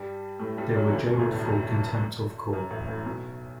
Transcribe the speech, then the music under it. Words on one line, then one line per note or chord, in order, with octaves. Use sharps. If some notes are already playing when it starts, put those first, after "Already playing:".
They were jailed for contempt of court.
Already playing: G2 G3
A2 A3
G2 G3
F#2 F#3
E3
D2 D3
G2
B2
A1 A2
G2
F#2
G2
F#2
A1 A2
A1 A2
B1 B2